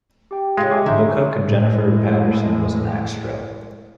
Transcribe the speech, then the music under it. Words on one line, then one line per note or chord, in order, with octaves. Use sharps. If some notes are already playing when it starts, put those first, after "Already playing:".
The cook Jennifer Paterson was an extra.
G4 G5
C#3 G#3 F4
G4 D#5 E5 G#5 C#6 D6
D3 E4 A#5 C6 G6
A2 G#3